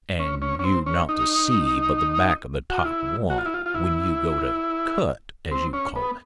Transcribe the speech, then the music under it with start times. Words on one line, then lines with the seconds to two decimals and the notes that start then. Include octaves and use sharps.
"And you not to see but the back of the top one, when you go to 'cut,' as you call it?"
0.20 C#4
0.42 C#4
0.59 C#4
0.64 C4
0.86 C#4
1.09 D#4
2.70 F#4
2.78 F4
2.85 E4
3.30 F#4
3.38 F4
3.46 E4
3.54 F4
3.66 F4
3.74 E4
5.51 C4
5.73 C#4
5.96 B3